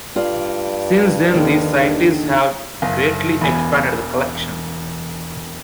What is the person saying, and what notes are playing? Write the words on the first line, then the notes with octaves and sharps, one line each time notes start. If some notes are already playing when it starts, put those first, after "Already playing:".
Since then these scientists have greatly expanded the collection.
G2 F4 D5
D#2 D3 D#3
F#1 F5
E1 E3 G#5